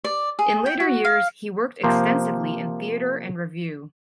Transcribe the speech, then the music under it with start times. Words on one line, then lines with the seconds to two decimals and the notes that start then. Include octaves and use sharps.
In later years he worked extensively in theatre and revue.
0.04 D5
0.39 G#4
0.66 G5
0.80 F#4
1.05 F5
1.84 C3 F3 A#3 C5